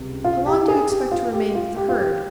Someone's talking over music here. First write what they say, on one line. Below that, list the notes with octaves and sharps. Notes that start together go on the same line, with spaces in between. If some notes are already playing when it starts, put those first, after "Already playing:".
How long do you expect to remain with the herd?
Already playing: C#2 C3 G3
F4
G4
G#4
G4
F4
G4
F4
G4
F4
G4